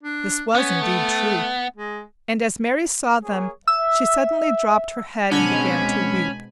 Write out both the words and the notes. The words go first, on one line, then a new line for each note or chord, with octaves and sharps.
This was indeed true, and as Mary saw them she suddenly dropped her head and began to weep.
D4
B3 C#4
A3
G#3
A#3 G#4 C#5
E5 E6
B2 D3 G#3 C4 C#4 G#5 B5